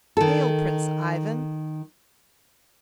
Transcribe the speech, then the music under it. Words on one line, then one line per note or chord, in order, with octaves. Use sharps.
'Hail, Prince Ivan!
D#3 A4